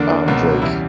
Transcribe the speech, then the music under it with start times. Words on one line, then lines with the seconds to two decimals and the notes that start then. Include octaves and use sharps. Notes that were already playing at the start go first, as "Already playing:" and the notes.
um, like
Already playing: E2 D3 A#3 D4
0.26 C#2 B2 F#3 A#3
0.61 E2 C#3 G3 E4